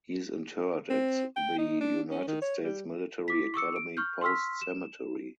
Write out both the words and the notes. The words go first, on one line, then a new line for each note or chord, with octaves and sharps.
He is interred at the United States Military Academy Post Cemetery.
C4
G5
D#4
D4
C#4
D#3
C#5
G3
E4 D6 B6
C#6 D6 E6 C#7
D7
C#6 F6 G6
C6 C#6 E6 F6 B6
E7